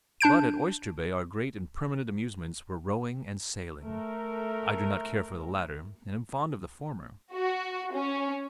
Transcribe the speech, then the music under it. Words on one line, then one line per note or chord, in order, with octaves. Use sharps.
But at Oyster Bay our great and permanent amusements were rowing and sailing; I do not care for the latter, and am fond of the former.
D4 A5 G6 D7
A3 A#4
F#4
C#4